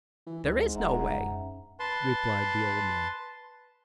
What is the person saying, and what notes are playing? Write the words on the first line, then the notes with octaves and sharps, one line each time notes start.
"There is no way," replied the old man.
E3
D2 G#2
D#1 E5 F#5 A#5
F#2
C#4
B4 A5 C6